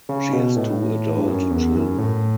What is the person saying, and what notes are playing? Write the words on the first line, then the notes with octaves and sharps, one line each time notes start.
She has two adult children.
C#3
B2
A2
G2
F#2
E2
F#2
A2